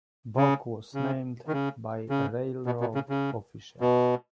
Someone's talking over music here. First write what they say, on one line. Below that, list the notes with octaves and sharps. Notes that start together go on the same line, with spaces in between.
Bock was named by railroad officials.
C#3
C#3
D#3
C#3
C#3
B2
B2
C#3
C#3
B2